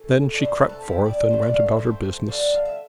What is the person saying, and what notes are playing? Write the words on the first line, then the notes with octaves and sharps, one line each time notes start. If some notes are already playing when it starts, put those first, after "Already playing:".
Then she crept forth, and went about her business.
Already playing: A2 E3 A3
C3 F3 A3 D4 D5
C5
B4
A4
F3 C4 E4 G4
D5
A2 E3 A3 D4 C5
D5
F5
E5
F3 A3 C4 C5
D3 G3 D4 F4
F5
E5